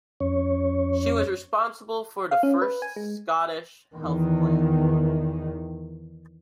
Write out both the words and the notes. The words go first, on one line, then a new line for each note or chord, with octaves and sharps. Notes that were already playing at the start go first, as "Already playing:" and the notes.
She was responsible for the first Scottish Health Plan.
F2 C#4 C#5
F5
C#4
B4
G#5
G#3
E2 D#3